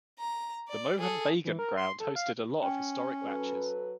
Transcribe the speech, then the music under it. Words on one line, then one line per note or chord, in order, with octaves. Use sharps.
The Mohun Bagan Ground hosted a lot of historic matches.
A#5
D5
G#4 A4
E3
A#4
C6
A4
F5
C#4 G5
F#3 A4 B4